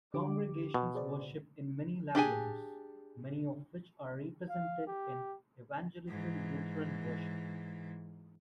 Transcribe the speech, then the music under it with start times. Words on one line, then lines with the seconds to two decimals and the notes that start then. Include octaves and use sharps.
Congregations worship in many languages, many of which are represented in "Evangelical Lutheran Worship".
0.14 D3 G4 D6
0.74 B2
0.95 G#4 C5 D5
2.15 D4 G4 G#4 G#5
4.49 F5
4.87 G4
6.08 G#2 E3